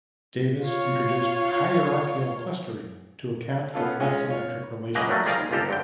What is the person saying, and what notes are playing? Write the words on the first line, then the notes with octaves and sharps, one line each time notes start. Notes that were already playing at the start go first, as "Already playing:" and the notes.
Davis introduced "hierarchical clustering" to account for asymmetric relations.
F4 C#5
B3 C#4 F4 A4
G#3 C#4 F4 G#5
F4 C#5
C#2 F#2 B2 A#3 B4 D#5
F#3 G3 A3 A#3
F3 G3 G#4 A#4 D5 F5
D#2
G1 C#2 F4 G4 A4 A#5
G2 D3 G5